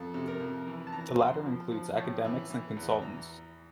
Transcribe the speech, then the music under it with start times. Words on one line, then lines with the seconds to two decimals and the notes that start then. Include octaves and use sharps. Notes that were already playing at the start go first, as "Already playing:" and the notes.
The latter include academics and consultants.
Already playing: F2 A4
0.14 C3
0.28 A#4
0.41 F2
0.67 E3
0.87 A5
0.92 E3 A#5
1.19 F2 C6
1.46 F3
1.72 F3
1.98 A2
2.24 E3
2.50 E3
2.77 E2
3.02 E3 A#5